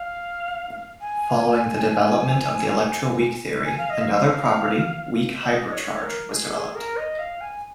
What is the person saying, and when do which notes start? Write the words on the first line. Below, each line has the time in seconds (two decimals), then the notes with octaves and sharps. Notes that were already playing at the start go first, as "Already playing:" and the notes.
Following the development of the electroweak theory, another property, weak hypercharge, was developed.
Already playing: F5
1.01 G#5
3.65 G#5
3.78 F5
3.90 D#5
4.01 F5
5.43 D#5
5.72 C#5
6.02 A#4
6.31 G#4
6.53 G#4
6.75 A#4
6.97 D#5
7.19 F5
7.41 G#5